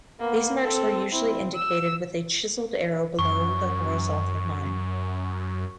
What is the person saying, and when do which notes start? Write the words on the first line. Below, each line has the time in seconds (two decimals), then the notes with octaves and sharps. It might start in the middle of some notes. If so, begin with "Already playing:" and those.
These marks were usually indicated with a chiseled arrow below the horizontal line.
0.20 A#3 B3
0.62 C4 A4
1.11 C4 E4
1.54 E6
3.19 F#2 C#6